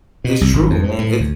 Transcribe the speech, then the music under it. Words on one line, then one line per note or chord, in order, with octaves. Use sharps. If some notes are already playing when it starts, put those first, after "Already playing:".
It's true, man, it's
B2
C2
G#1
F2
G#2
A2
D2